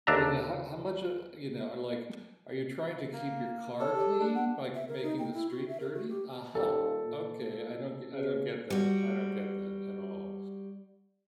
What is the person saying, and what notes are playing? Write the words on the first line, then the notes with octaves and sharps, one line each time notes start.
the the the h how much, uh, you know, uh, like, are you trying to keep your car clean by c making the street dirty? Aha, okay, I don't get I don't get that. I don't get that at all,
D#2 D4 E5 A#5
A#3
A4 C#5
G4
D4
F#5
E5
A#4
D#4
G5
E4
F#4
E5
A#4
F#4
G4
D#1 A4
A#2
C#3
G3 F#4